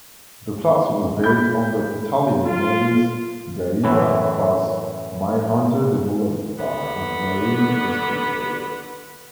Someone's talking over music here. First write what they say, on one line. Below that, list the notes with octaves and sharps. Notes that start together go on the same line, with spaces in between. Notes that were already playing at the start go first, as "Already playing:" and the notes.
The class was based on the Italian Navy's "Gaeta"-class minehunter developed by Intermarine SpA.
B5 G6
F4
F#2 A2 E3
D#2 D3 B3